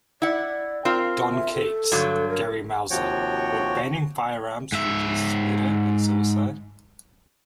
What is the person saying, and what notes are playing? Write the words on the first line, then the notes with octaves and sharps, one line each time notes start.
Don Kates, Gary Mauser, Would Banning Firearms Reduce Murder and Suicide?
E4 D5 F#5
C4 F4 A#4
E5
A4
G2 D3 F#3
A#4
D#2 C3 F3 F#4 C#5 G5
G#2 E5